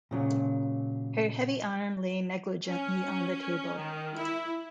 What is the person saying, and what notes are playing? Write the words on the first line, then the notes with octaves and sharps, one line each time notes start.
Her heavy arm lay negligently on the table.
A#2 C#3 F#3
C#4
D#3
E4